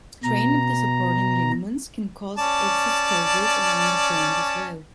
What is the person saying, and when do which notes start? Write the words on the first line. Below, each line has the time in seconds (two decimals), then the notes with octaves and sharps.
Strain of the supporting ligaments can cause exostosis around the joint as well.
0.24 B2 A#5
2.38 C#4 D5 A5